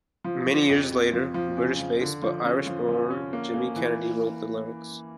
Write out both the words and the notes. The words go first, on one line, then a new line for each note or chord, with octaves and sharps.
Many years later British-based, but Irish-born Jimmy Kennedy wrote the lyrics.
F3
F3
F2
F2
F3
F3
C#3
F3
D3
F3
C#4
F3
F3
C#4
A#3
A#3
E3